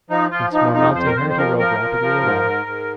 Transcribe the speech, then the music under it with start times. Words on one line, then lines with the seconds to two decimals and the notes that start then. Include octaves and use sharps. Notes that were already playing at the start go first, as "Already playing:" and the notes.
Once more mounting her, he rode rapidly away.
0.10 F3 D#4
0.31 F3 F4
0.53 F3 D#4
0.74 F2 D#4
0.95 F2 C5
1.06 A#4
1.16 F2 C5
1.30 C5
1.38 F3 A#4
1.59 F3 A#4
1.80 F3
2.01 F3
2.23 G#2
2.44 G#2
2.66 G#2